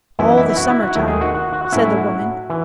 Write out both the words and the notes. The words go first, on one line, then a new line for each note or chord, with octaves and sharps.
'All the summer-time,' said the woman.
F#2 E3 B3 D#4 E4
E4
E4
F#4
E4
F#4
D#2 D#3 A3 E4
G#4
F#4
F#4
F#4
F#4
A2 F#3 C#4 E4
E4
F#4
E3